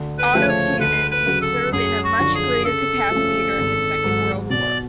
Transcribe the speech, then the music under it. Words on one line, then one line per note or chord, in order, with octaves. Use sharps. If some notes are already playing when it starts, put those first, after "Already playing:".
Autocannon would serve in a much greater capacity during the Second World War.
Already playing: D2
B4
C#3 F3 A3
C#5
D2 B4
B4
C#3 F#3
A4
F#2 G#4
F#4
D3 F3
G#4
C#3 A4
F3 A3 C#4
G#1
G#2 F#3
B2 D5